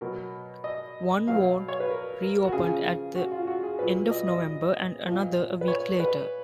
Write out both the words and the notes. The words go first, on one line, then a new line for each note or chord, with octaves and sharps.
One ward reopened at the end of November and another a week later.
B2 F#3 A#4
D#5
B2 F#3 F5
C#5
B4
A#4
A#4
F#4
C#3 F3 G#4
F#4
F4
F#4
G#4
A#2 F#3 B4
D#5
D#5
A#2 F3
B4
C#5
B4